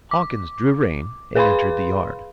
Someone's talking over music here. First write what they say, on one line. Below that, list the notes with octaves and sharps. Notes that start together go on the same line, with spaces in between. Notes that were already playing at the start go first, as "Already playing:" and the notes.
Hawkins drew rein and entered the yard.
D6
G#4 B4 F5 B5 C6